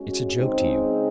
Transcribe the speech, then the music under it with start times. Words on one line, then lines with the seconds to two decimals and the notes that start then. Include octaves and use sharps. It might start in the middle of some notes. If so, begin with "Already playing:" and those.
It's a joke to you.
Already playing: G#3 C#4 F#4
0.33 C#3 G#3 C4 D#4